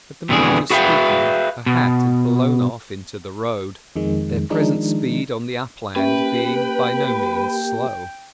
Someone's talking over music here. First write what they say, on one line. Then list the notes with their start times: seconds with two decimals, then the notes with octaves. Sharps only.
At the moment of speaking her hat had blown off into the road, their present speed on the upland being by no means slow.
0.29 F2 B2 D3 E3 G#4
0.70 F#4 G#4 B4 E5 F5 G5
1.66 B2
3.96 F2 D#3 G#3
4.50 D#3 F3 G#3 D4 D#4
5.96 A#3 C#4 G4 B4 E5 G5